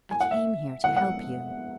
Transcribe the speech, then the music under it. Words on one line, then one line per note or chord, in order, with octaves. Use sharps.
I came here to help you.
G#5
F#5
E5
F#5
F#5